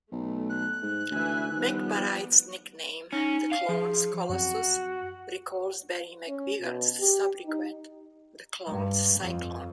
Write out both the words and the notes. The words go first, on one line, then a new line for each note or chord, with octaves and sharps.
McBride's nickname, "The Clones Colossus", recalls Barry McGuigan's sobriquet "The Clones Cyclone".
B1 A3
F#6
G#2
D2 E3 E5 G#5
D#3 F3 G3 B3
C#4 D#4
F5
F3 G#4
F#2 C4 F#4
C#4
B2
G4
D#4
G2
F2